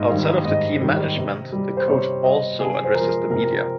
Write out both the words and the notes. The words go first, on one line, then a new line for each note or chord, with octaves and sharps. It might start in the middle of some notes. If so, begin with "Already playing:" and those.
Outside of the team management, the coach also addresses the media.
Already playing: G#2 D#5
D#3 G3 F5
G#2 D#5
D#3 G3
C3
G3
C5
C3 C#5
G3 D#5
C3 G#4
C5
F3 G#3 A#4
C3 A#4